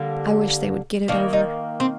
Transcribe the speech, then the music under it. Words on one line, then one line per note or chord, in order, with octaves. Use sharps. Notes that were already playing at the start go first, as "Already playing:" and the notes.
I wish they would get it over!
Already playing: D3 G3 A#3
D#3 A#3 D4
D#4
C4